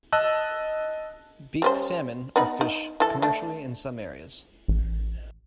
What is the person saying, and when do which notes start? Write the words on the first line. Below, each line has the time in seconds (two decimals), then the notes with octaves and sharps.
Beaked salmon are fished commercially in some areas.
0.12 D#5 A5 E6 F#6
1.62 G3 C#4 C5
2.36 B3 D#4 B5
2.61 D#4
3.00 E3 A4
3.22 A3 D4
4.68 A1